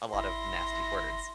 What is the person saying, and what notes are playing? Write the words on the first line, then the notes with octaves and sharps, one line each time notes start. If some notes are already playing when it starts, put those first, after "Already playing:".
a lot of nasty words.
G#1 E4 C6 A#6